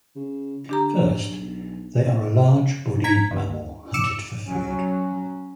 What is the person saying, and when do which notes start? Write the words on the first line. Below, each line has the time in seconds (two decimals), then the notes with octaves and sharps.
First, they are a large-bodied mammal hunted for food.
0.16 C#3
0.69 D3 D4 G4 A#5
1.29 B1
3.04 A#5 G#6 B6
3.31 G2
3.94 D6 E6 C#7 E7
4.46 F#3 C#4